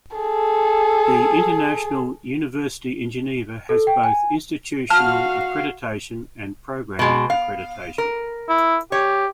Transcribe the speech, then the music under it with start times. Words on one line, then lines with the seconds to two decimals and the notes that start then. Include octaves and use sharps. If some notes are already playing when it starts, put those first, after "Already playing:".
The International University in Geneva has both institutional accreditation and program accreditation.
0.17 G#4 A4
3.69 A4
3.87 G5
4.04 G#5
4.90 F#4 F5 A5 F6
6.99 B2 G#3
7.30 F5
7.98 A#4
8.49 E4
8.92 G4 C#5